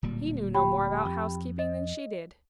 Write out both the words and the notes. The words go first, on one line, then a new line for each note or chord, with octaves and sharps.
He knew no more about housekeeping than she did.
D1 A#2 G3
G4 G5 B5
F2
D#5